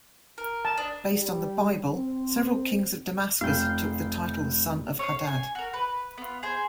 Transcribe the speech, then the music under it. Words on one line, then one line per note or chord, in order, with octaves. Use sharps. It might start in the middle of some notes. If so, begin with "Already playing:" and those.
Based on the Bible, several kings of Damascus took the title son of Hadad.
A#4
A5
D4 D#5
G3
C4
F1 F5 G5
C#5 F5
F5 G#5
F#4 A#4
B4
B3 F4
G#4 C5 G#5